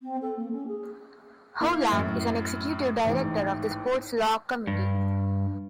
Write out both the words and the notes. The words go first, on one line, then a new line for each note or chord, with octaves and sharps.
Holland is an executive director of the Sports Law Committee.
C4
A4
A#3
C#4
G#4
A#3 E4
F#2 A2
A1 G#2
G2